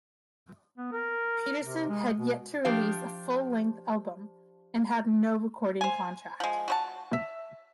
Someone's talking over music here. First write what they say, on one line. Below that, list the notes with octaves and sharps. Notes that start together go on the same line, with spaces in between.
Peterson had yet to release a full-length album, and had no recording contract.
B3
A#4
C3
G#3
B2
F3 D4 G4 F5
C5 G#5
F3 G#3
F#4 C5 A5
E5